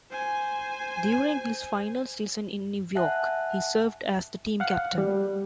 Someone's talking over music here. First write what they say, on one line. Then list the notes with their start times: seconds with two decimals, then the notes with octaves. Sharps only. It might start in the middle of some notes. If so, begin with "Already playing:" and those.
During his final season in New York, he served as the team captain.
0.11 C5 G#5
2.95 E5 F#5 G#5 A5 F#6
4.60 F5 F#5
4.98 G3